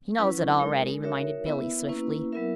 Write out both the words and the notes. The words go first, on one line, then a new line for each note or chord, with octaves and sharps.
"He knows it already!" reminded Billie swiftly.
F#3 C#4 E4 B4
G#3 D#4 A#4
D#4 F#4 A#4 C#5 E5
B3 E4 B4 E5
A#3 C#4 E4 B4
F#3 B3 E4 A#4 E5